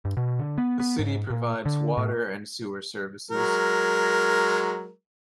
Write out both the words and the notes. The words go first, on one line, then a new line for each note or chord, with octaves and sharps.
The city provides water and sewer services.
G2
B2
D3
B3
B3
G#2
A#2
D3
A2
F#3 G#3 A#4